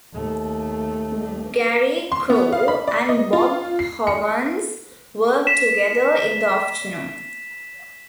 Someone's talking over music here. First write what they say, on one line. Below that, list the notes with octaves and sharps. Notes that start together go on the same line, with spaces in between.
Gary Crow and Bob Hovanes worked together in the afternoon.
D#2 A3
C6
B3
F5
B5
D5
D#5
F4
C7
C#7
B6 E7